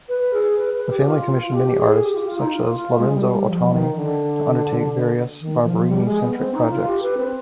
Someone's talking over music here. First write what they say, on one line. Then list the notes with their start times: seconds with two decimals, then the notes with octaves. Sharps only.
The family commissioned many artists, such as Lorenzo Ottoni, to undertake various Barberini-centric projects.
0.08 B4
0.33 G#4
0.57 B4
0.73 B4
0.89 G4
1.05 F4
1.45 F4
1.53 G4
1.66 G4
1.77 G#4
2.01 G4
2.14 F4
2.20 G4
2.26 F4
2.38 D#4
2.50 F4
2.74 F4
2.98 G#3
3.09 G#3
3.14 G3
3.31 G3
3.47 F3
3.71 D#3
3.95 D3
5.40 D#3
5.64 F3
5.88 G3
6.05 G#3
6.21 B3
6.37 C4
6.53 D#4
6.69 F4
6.86 G4
7.02 B4
7.17 C4